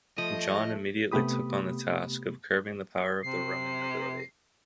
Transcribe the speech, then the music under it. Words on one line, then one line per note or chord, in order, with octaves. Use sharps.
John immediately took on the task of curbing the power of the Roman nobility.
F3 A3 D#5
C3 A3 B3 G4 B5 D#6
C3 C7